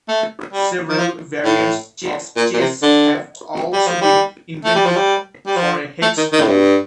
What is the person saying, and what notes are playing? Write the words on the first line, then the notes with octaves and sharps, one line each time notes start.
Several variants of chess have also been invented for a hex board.
A3
G3
D#3
F3
A2
A#2
A#2
C3
D3
G3
F3
G3
A3
G3
F3
G3
G3
F3
A3
D#3
D#3
A2
G2